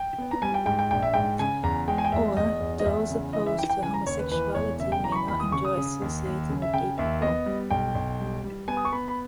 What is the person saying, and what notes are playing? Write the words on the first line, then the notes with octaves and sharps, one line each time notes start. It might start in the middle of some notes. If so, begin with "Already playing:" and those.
Or, those opposed to homosexuality may not enjoy associating with gay people.
Already playing: G5
B3
A#5
G3 G#5
G5
G#2 G5
G5
A#1 G5
E5
G#2 G5
C#3 G#5
E2 A#5
G#3 G5
G#5
G5
E2 E5
E2 D#5
E2
D#5
E2 E5
C#3
E3 D#5
E5
E3 G5
G5
C#3 G#5
A#5
D#2 C#5
B4
E3 B4
E1 C#5
C#3 E5
G5
E3 A#5
C#6
B5
D#2 B5
D#6
C#3 C#6
D#6
C#3
D#2
D#2
C#3
E5
C#3 G5
D#2 E5
B3 D#5
G3
B1 G5
B1
G3
G3
B3 G#5
D#6
C#6
B3 B5
B5